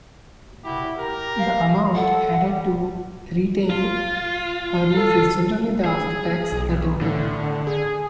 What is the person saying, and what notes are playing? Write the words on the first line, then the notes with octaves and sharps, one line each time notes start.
The amount added to retained earnings is generally the after tax net income.
E4 F#4 G4
G4 A#4
F5
A4 F#5
G3
F4
A4
G#4
B1
A2 D3
G#4